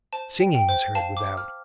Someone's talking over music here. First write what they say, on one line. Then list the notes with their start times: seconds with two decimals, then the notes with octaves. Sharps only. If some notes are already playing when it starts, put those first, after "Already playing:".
Singing is heard without.
0.13 C5 A5
0.40 G5
0.55 G5
0.69 C5
0.95 F5 A5
1.17 D6
1.23 C5
1.37 F6